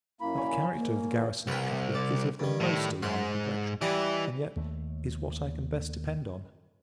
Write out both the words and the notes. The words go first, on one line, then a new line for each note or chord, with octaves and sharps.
But the character of the Garrison at Capua is of the most alarming complexion; and, yet, is what I can best depend on.
F#2 A#3 E4 B5
C#5 D5 G#5
G#2 A#3
E2 D3 E3 C5 D5
C2 B4 G5
D5
G2 D#3
A2
G#2 C6
E3 G3 B4 D#5
D#2 A3